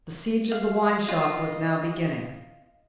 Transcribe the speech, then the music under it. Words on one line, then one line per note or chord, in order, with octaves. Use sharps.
The siege of the wine-shop was now beginning.
F5
F4 D#5